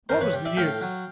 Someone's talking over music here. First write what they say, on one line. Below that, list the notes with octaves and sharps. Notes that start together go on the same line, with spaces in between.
What was the use!
G2 A#4 C5
B4 C#5
G3
D5 E5
A2 F5 G5
F#3